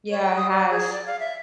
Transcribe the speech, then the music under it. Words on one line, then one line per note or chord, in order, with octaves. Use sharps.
Yeah, it has.
C#5
G5
D#6
D5
G#4
D5
F5
E5